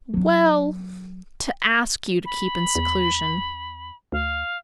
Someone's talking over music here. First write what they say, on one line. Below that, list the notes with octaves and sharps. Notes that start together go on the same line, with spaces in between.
"Well--to ask you to keep in seclusion."
F#3 D4
B5
E2
D2 F5